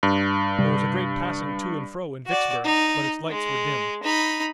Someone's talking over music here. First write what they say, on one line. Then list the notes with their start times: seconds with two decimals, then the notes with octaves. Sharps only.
There was a great passing to and fro in Vicksburg, but its lights were dim.
0.03 G2
0.58 C3 G3
2.26 F#4 D5
2.64 D#4
3.30 G#3
4.03 D#4 B5